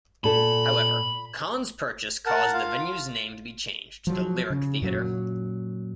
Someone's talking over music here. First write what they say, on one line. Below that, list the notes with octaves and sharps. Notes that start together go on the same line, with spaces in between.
However Kahn's purchase caused the venue's name to be changed to the Lyric Theatre.
A#2 A4 B5
A#4 F#5 A5
F4 F5
F3 F#3
C#3
F#2 A#2 F#3